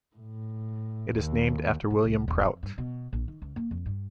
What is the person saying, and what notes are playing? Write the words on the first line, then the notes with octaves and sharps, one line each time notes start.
It is named after William Prout.
A2
D#2
B2
C2
D#1
F2
G2
B2
A#1
D#3
C#2
A#3
F2
G2